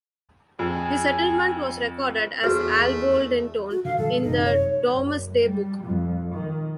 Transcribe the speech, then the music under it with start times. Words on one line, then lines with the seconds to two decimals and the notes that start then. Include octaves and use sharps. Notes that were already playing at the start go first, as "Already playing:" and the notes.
The settlement was recorded as Alboldintone in the "Domesday Book".
0.59 F2 G#4
2.44 E2 A3 F#4 G#4 B4
3.71 F#4
3.85 D3 F5
3.97 A#2 E3 G3 A4
4.23 F#1 C3 D#4
4.45 C#5
4.89 F#1
5.43 G3
5.83 F2
6.33 D#3